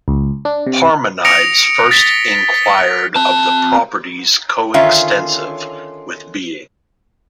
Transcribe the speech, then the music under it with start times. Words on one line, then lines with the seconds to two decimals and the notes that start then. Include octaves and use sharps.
Parmenides first inquired of the properties co-extensive with being.
0.08 C#2
0.45 D4
0.67 C3
1.25 D#6 A#6 C#7 D7 F7
1.91 A6 B6 G7
2.54 B6
3.16 C4 A5
4.74 D3 D#3 C#4 F4 C#5 E5